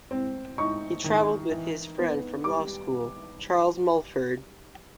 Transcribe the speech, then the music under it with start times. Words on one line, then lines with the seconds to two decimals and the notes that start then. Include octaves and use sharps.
He traveled with his friend from law school, Charles Mulford.
0.11 C4
0.58 D#4 C#6
1.04 D#3
1.51 E3
1.98 B3
2.44 G3 D6